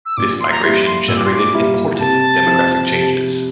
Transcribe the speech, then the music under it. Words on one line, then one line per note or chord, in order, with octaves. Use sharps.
This migration generated important demographic changes.
E6
A#2 D6
C6
A#5
G3 A#3 E4 C6
C6
A#2 E6
D6
C6
D6
G3 A#3 E4
C3 A5
F3 C4 E4
C3